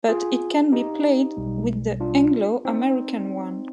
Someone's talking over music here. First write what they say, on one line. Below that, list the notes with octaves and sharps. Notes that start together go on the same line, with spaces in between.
But, it can be played with the Anglo-American one.
F4 G#4
D#4 G4
B1 B2 G3
D4 F4
C4 D#4